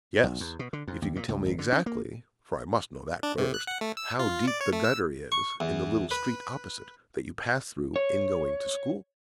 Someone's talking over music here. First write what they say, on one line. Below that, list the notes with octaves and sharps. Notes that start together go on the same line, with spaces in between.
"Yes, if you can tell me exactly--for I must know that first--how deep the gutter is in the little street opposite, that you pass through in going to school."
B1
E2
B2
D3
F2
D#2
A#2
C#2
G#1
D3
C#4
A#3
D4
C3
F#6
F#5
A3
E6
F4
D5
C#5
A3
E6
C#6
E2
B4
C#5